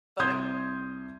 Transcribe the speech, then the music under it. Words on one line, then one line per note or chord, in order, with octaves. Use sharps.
But, um
C2 C6 D#6 G6 G#6